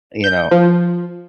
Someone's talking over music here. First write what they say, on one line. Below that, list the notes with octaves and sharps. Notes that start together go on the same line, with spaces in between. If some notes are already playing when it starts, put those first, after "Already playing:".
you know,
G6
F3